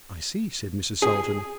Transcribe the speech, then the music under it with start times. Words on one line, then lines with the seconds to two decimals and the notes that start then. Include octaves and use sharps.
"I see!" said Mrs. Salton.
1.02 G#4